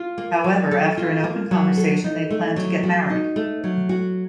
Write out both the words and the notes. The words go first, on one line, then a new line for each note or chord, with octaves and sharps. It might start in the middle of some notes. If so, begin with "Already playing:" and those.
However, after an open conversation they plan to get married.
Already playing: F4
A#3
F#3
A4
F4
A#3
F#3
A4
D#4
A3
F#3
F#4
D#4
A3
F#3
F#4